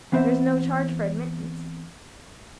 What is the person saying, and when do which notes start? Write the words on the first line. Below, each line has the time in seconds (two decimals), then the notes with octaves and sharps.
There's no charge for admittance.
0.12 E3 B3 C4 C5 E5